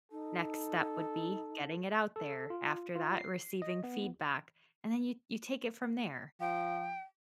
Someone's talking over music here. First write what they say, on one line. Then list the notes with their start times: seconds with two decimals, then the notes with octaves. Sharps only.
Next step would be getting it out there. After that, receiving feedback. And then you you take it from there.
0.12 D#4 A4
2.16 A4
2.50 F4
2.95 F4
3.19 C7
3.62 D#5
3.84 B3
6.40 F3 G5